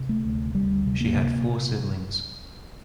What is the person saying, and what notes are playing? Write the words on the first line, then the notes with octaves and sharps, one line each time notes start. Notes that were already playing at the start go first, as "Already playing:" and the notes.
She had four siblings.
Already playing: C3
A3
D2
D2 G3
C3
A#3
C3